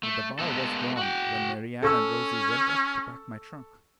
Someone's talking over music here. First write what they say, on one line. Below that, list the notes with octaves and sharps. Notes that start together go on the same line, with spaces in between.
"But the bar was gone when Mary Anne and Rosie went up to pack my trunk."
A3
G#3 A#3 B3 D#4 A4
F#4 G5
C#4 A4 C#6 E6